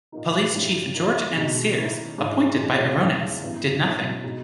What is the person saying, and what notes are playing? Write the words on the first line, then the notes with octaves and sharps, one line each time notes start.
Police Chief George M. Sears, appointed by Irones, did nothing.
A#2 A#3 D#4
G2 G3 C#4 E4
D#3 A#3 D#4
B2 G#3 D#4
D#3 A#3 C#4 E4
G#2 E3 G#3
E2 B2 G#3
E2 C#3 E3 A#3 C#4
G2 E3 G3 B3
B2 A#3 C#4 E4
B2 G#3 D#4